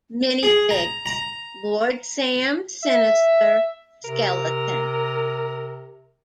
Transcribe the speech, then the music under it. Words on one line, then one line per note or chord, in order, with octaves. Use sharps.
Minifigs: Lord Sam Sinister, Skeleton.
G#4
A#5
A#5
E5
C3 A#4